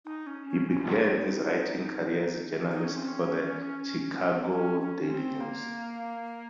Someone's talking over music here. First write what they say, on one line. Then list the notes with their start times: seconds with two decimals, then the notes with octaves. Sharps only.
He began his writing career as a journalist for the "Chicago Daily News".
0.05 D#4
0.27 C#4
0.50 C#4
0.71 C#4
0.83 F4
0.94 D#4
2.72 D#4
2.85 C#4
2.96 C4
3.08 C#4
4.51 C#4
4.81 C#4
5.10 C4
5.40 A#3